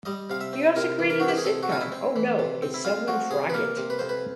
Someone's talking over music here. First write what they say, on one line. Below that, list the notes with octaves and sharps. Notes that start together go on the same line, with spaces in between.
He also created the sitcom Oh No, It's Selwyn Froggitt!
G3 D#5
C3 F5
E5
C4
C3 A#4
E3
A#4
C4 F#4
G4
G#4
C3 A4
F#4
C4 F4
E4
C4
E3
C3
C4
E4
F2 F4
F3 F#4
C3 G#4
B4
A#3 A#4
C3
B4
F2 C5
B4